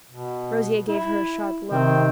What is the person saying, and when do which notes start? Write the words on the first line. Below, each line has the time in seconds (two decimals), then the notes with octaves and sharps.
Rosier gave her a sharp look.
0.11 B2
0.88 E4
1.71 C3 D#3 C4